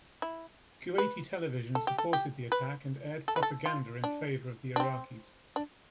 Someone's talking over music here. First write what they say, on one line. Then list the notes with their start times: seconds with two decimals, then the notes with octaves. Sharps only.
Kuwaiti television supported the attack and aired propaganda in favor of the Iraqis.
0.22 E4
0.98 B4
1.75 A4
1.87 G4
1.98 A4
2.13 G4
2.52 B4
3.28 A4
3.36 B4
3.43 A4
3.66 F4
4.04 D4
4.76 D4
4.80 C4
5.56 D4